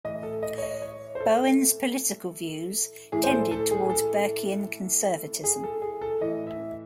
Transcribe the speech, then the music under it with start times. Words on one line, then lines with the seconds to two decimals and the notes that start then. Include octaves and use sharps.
Bowen's political views tended towards Burkean conservatism.
0.04 A2 E3 D#5
0.23 A4
0.43 D#5
0.58 C#5
0.62 D#5
0.82 C#5
1.15 C5
1.20 A4
3.12 A2 E3 G#4
3.24 C5
3.31 A4
3.51 A4
3.71 G#4
3.85 G#4
3.90 A4
5.44 G#4
5.63 A4
5.82 G#4
6.01 A4
6.21 A2 E3 D#5
6.47 E5